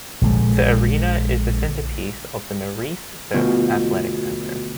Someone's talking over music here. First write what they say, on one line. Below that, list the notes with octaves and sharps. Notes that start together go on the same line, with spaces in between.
The arena is the centerpiece of the Maurice Stokes Athletic Center.
A#1 D3 G#3
D2 B2 F3